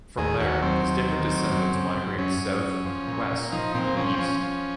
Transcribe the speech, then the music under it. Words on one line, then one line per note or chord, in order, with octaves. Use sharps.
From there, his different descendants migrated south, west, and east.
D#2 G#4
D#2 F#4
F#3 C4
D#2
D#3
F#3
F#2
C#3
F#2
F#2 C#4
F#2
F#2
F3
A#2
A#2
F3 D#4
A#2 C4
F3 C#4
C4
F3 C#4
F3